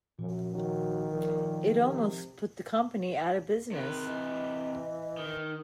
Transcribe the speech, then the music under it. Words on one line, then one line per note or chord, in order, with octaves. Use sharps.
It almost put the company out of business.
F#2 A#2 F3
D#3 F#3
A#2 F3
C3
C3 D#3 B4
E3 D#5
D#3